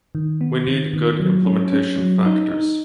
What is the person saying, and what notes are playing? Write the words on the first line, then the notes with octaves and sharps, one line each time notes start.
We need good implementation factors.
D#3
B3
D#3
D#3
F#3
C#4
C#4
F#3
D#4
D#4